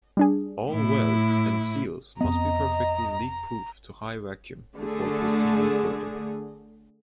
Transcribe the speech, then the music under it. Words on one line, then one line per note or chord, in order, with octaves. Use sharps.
All welds and seals must be perfectly leak-proof to high vacuum before proceeding further.
G3 D4 G#4
A2 E4
F2 B3 D#5 A#5
D3 A3 G#4